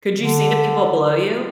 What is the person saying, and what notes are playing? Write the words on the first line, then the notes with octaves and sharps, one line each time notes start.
Could you see the people below you?
D3